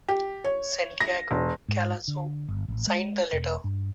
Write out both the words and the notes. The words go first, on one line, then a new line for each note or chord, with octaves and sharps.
Santiago Collazo signed the letter.
G4
C#5
A#6
E1
G#2
D3
G1
A1
G#3
E1
G2